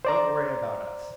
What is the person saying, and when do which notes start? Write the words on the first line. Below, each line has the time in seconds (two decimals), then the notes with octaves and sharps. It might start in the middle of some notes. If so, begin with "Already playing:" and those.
Don't worry about us.
0.05 C5 D5 A#5